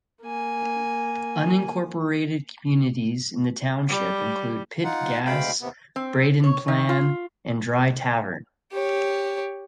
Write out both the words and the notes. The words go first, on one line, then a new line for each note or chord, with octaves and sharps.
Unincorporated communities in the township include Pitt Gas, Braden Plan, and Dry Tavern.
A#3 G#5
G3
D#4 F4 F#5
D2 B2 G#3 F5 G5 B5
D#2 C3 B3
C4
C#5
D#3
F4
G4 C#5